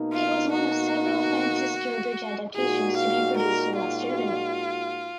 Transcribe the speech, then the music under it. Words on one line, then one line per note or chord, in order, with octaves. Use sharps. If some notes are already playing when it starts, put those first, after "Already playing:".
It was one of several Francis Durbridge adaptations to be produced in West Germany.
Already playing: B2 A#3 D#4
F4
F#4
A#2 G#3 D#4 F#4 G#4
F5
A#4
F4